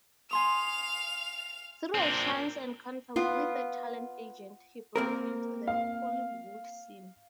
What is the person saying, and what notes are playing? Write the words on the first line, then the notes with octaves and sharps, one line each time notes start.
Through a chance encounter with a talent agent, he broke into the Hollywood scene.
F5 G#5 C6 D#6 F7
A#2 C4 D4 A#4
B3 F4
A#3 C4 A#4
F5